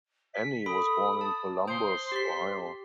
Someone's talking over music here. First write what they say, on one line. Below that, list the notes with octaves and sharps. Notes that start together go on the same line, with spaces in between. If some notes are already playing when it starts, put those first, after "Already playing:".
Annie was born in Columbus, Ohio.
B6
A4 B5 D#6
A5
C5 C6 D#6 G6
G4 B6